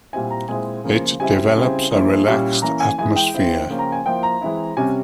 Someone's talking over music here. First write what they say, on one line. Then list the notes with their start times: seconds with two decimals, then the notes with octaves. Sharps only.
It develops a relaxed atmosphere.
0.13 A#2 G3 C4 E4 G#5
0.30 A#5
0.48 A#2 G#3 C4 E4 G#5
0.84 C#3 F3 A#3
1.20 C#3 G3 C4 E4 G#5
1.56 C#3 G3 C4 E4
1.91 F3 A#3 E4
2.27 A#2 G3 C#4 E4
2.62 E3 A#3 C#4 A#5
2.80 G#5
2.98 E3 G#3 E4 G#5
3.16 G5
3.34 F3 C4 E4
3.70 C#3 F3 A#3 C#4
3.79 A#5
3.92 G#5
4.06 F3 A#3 E4 G5
4.23 A#5
4.41 E3 G#3 C4 E4
4.77 C3 G3 C#4 G#5